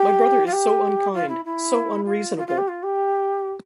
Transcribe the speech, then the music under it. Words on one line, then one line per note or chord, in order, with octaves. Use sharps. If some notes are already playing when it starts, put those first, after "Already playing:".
My brother is so unkind, so unreasonable!
Already playing: G4
F4
G4
F4
E4
E4
F4
F4
F4
G4
F4
G4